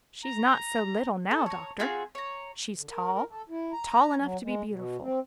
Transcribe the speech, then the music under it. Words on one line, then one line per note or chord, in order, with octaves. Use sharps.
"She's not so little now, Doctor; she's tall--tall enough to be beautiful."
A#5
A4
C#5 A#5
C4 F4 F#4 G#4
C#5 A#5
D3
A#4
A#4
A4
E4
A#5
F#3
G#3
B2
C4